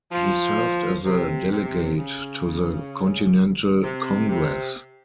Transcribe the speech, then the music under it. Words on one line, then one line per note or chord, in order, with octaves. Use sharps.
He served as a delegate to the Continental Congress.
F3
C3
C3
C#3
C3
C3